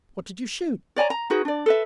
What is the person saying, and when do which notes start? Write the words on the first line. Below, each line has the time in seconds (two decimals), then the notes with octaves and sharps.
'What did you shoot?
0.96 C#5 D5 G#5 A#5
1.10 A#5
1.30 D#4 F#4 G#4 B4
1.45 D4 D5
1.66 A4 B4 E5